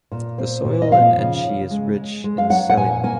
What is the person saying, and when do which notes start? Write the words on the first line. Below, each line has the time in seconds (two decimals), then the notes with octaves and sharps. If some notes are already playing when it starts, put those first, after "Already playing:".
The soil in Enshi is rich in selenium.
0.12 A#2
0.38 C4
0.65 A#2
0.82 D#5
0.92 F3 F5
1.18 C#3
1.45 C#3
1.70 G#3
1.98 G#3
2.24 G#3
2.38 F5
2.50 F#3 F#5
2.70 F#5
2.77 A#2 G#5
3.03 A#3 G#5